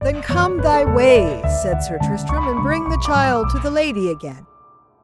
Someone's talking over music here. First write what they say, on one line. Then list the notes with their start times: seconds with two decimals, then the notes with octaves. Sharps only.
Then come thy way, said Sir Tristram, and bring the child to the lady again.
0.01 F#1 D5
0.29 F#2 E3 B3 C#5
0.58 F#1 B4
0.73 A4
0.87 E2 C#3 G#3 A4
1.00 B4
1.09 E5
1.15 E1 D5
1.44 D2 D3 E5
1.72 D2 F#5
2.00 D3 G#3 C#4 A5
2.29 C#2 C#6
2.37 B5
2.43 C#6
2.57 C#3 G#3 D4 C#6
2.71 D6
2.86 B1 C#6
3.05 D6
3.15 A2 F#3
3.24 E6
3.43 B1 D6